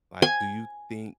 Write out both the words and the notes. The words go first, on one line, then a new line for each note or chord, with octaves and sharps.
like, do you think
G#5